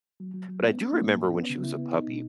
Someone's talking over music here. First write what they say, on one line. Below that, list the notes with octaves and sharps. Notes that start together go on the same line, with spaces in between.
but I do remember when she was a puppy,
F#3
F#3
F#3
B3
C#4
A#3
A2
C#4
B3
C#3
E4
B3
D#4
B2